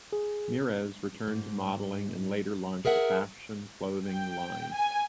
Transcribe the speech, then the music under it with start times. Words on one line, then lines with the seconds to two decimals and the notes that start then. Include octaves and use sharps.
Meares returned to modeling and later launched a fashion clothing line.
0.13 G#4
1.27 G#2
2.85 G#4 A#4 E5 F#5
4.07 G5
4.74 G#5